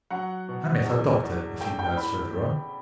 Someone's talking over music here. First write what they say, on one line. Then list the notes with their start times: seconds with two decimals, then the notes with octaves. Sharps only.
I met our doctor a few yards further on.
0.11 F#3 F#5
0.48 B2
0.85 E2
1.23 E2
1.60 A3 G5
1.79 G5
1.97 E3 B5